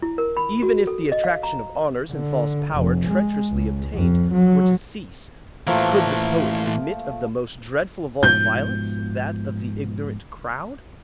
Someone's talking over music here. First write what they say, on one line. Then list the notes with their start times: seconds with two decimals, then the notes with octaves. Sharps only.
Even if the attraction of honors and false power treacherously obtained were to cease, could the poet admit of the most dreadful of all violence, that of the ignorant crowd?
0.02 E4
0.18 A#4
0.37 B5
0.62 F#4
0.87 A4
1.12 D#5
1.24 F5
1.43 A#5
2.12 D3
2.73 F1
3.07 G#3
3.51 C#2
3.94 F2
4.32 F#3
5.67 A2 E3 F3 A3 A#3
8.23 G#2 B2 F3 G6